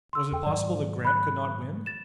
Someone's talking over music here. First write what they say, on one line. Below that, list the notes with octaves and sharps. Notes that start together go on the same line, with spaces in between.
Was it possible that Grant could not win?
C6 E6
E2 A4 G5
G#2 D#3 F#3 D5
B5 F#6
A6 E7